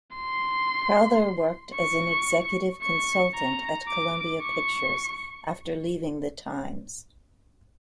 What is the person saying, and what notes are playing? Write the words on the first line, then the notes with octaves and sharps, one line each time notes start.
Crowther worked as an executive consultant at Columbia Pictures after leaving the "Times".
C6
C#6
C#6
A#5
D6
C#6